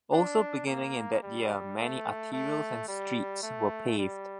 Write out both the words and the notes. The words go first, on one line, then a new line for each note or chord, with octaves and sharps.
Also beginning in that year, many arterials and streets were paved.
D4
A#3
G3
A3
A3
G3
A3
G3